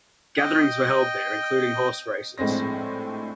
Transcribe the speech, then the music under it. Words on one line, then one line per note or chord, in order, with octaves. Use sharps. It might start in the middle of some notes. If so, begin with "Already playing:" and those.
Gatherings were held there, including horse races.
D#5 G5
A#1 A2 G#3 C4 A#6